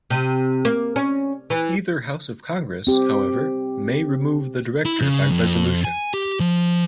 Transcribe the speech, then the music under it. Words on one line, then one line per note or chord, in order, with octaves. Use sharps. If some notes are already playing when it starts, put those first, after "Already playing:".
Either house of Congress, however, may remove the director by resolution.
C3
A#3
C#4
E3
C4 G4
E4
C#3
F2
G#5
G4
F3